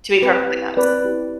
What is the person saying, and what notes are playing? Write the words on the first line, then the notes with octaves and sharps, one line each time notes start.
to be perfectly honest.
C4 G4 B4
E4 G4
C4 B4 D5
E4 G4